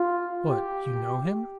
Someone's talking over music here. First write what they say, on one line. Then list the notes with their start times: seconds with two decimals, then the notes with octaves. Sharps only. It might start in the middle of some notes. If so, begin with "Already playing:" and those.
"What--you know him?"
Already playing: F4
0.50 G4